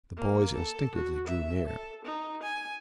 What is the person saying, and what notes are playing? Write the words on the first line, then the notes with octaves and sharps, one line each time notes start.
The boys instinctively drew near.
A#3
A4
F#4
E5
A4
D#4
G#5